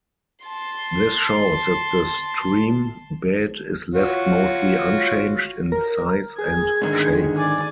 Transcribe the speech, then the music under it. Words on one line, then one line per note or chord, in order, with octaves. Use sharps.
This shows that the stream bed is left mostly unchanged in size and shape.
A5 C6
F4 F#4 C#5
A#4
G#4 G#6
G#2 D3 D#3
D5 G#5